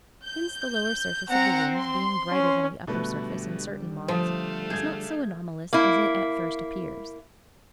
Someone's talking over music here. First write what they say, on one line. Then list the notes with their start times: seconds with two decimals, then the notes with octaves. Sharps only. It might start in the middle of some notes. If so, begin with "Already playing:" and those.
Hence the lower surface of the wings being brighter than the upper surface in certain moths is not so anomalous as it at first appears.
0.25 G6
1.31 C4 F#5 A#5
1.77 C6
2.31 C#4
2.87 B2 D3 G3 A3 B4
4.08 F3 A3 C5 F5 D#6
4.70 G#4 G6 G#6
5.73 A#3 E4